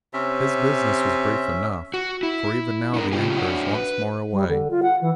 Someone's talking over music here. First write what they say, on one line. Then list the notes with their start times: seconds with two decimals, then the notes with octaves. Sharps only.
His business was brief enough, for even now the anchor is once more away.
0.14 C3 C#4 E5
1.94 F#4
2.23 E4
2.94 B3 D4 A#4
3.12 A2 C#3 C#4 F4 G4 G#4
3.38 D4 F#4 C#5 F#5
3.74 B4
4.32 G3
4.49 D3
4.70 F4
4.82 F#5
5.01 E3